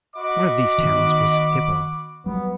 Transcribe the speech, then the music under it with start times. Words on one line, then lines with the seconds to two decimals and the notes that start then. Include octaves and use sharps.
One of these towns was Hippo.
0.16 F#4 D#5 B5 D6
0.78 D#3 B3
2.26 F#3 G3 B3